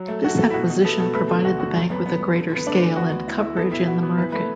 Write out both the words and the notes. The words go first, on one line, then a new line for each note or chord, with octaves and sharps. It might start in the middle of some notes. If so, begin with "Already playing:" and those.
This acquisition provided the Bank with a greater scale and coverage in the market.
Already playing: F#3
A3
A3 F#4
A3 A4
E4
B2 F#4
B2
B3 A4
B2 A4
A3 B4
D3 A4
D2 F#4
D3 F#4
F#2 A3
F#2 B3
F#2 B3
F#2
D3
D3 B3
A3 D4
D3
B3 F#4
D2
E4
E4
B3 A4
B2 E4
F#4
B3
E3 B4
A3 B4